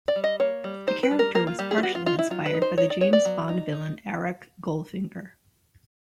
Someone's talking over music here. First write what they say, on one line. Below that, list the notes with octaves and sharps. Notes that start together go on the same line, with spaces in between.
The character was partially inspired by the James Bond villain Auric Goldfinger.
D5
G3
D#5
A#3 C#5
G3
D#4 C5
B4
G3
A#4
A#3 A#4
F4
G3 G4
G#4
F4
B3 F#4
F4
D#4 F4
E4
F#3 F4
B4
D#4
C5
D#4 C#5
D5
B3 C#5
D5
F#3
D#4
D#4